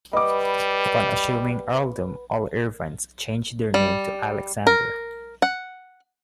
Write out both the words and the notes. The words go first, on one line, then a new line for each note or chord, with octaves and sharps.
Upon assuming the Earldom all Irvines changed their name to Alexander.
G3 B4 D#5 F#5 D6
G3
A#4
F#5